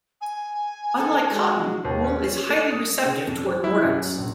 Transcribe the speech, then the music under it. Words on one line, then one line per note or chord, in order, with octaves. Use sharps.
Unlike cotton, wool is highly receptive toward mordants.
G#5
A4
G#3 F#4
D#2
C#4
C7
A3
D#6
C#3
F2
C5
E4
F#2
A#1